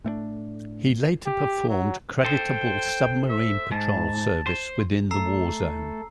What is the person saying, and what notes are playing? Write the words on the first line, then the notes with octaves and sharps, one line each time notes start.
He later performed creditable submarine patrol service within the war zone.
A2 A3 A#3 D4
G4
F#3
A4 C5 G5
E5
G#2 A5
C5
A3 A4 A#5 E6 C7